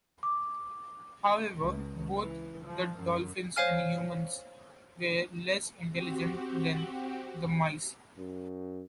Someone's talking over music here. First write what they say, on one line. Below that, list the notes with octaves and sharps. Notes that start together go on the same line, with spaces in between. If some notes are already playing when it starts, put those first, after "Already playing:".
However, both the dolphins and humans were less intelligent than the mice.
D6
C#2
E3
F3
F#2
C5 C#5 F5 G#5 F6
C4 F#4 G4
F#2